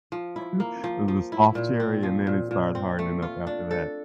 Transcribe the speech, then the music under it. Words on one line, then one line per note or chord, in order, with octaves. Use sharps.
th the soft cherry, and then it starts hardening up after that.
F3
E4
A#3
F3
F3
E4
A#2
C4
F3
A#2
A#2
C4
A3
F4
D4
A4